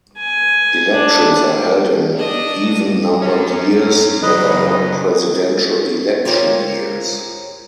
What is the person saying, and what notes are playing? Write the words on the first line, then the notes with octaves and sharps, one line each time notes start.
Elections are held in even-numbered years that are not presidential election years.
G#5
D4
D4 D#5
C#4 F#4
C#3 F#3 B4 D#5
F4 G4 A#4 C5 C#5